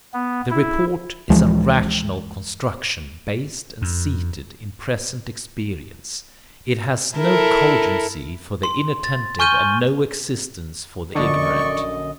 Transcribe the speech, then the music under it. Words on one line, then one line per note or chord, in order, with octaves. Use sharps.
The report is a rational construction based and seated in present experience; it has no cogency for the inattentive and no existence for the ignorant.
B3
E4
D2 E3 F3 G#3
F2
E4 A4 A#4
C6
A6
G#5 C#6 F6 G6 D#7 G7
A#1 F#2 D3 D5 D#5 C#6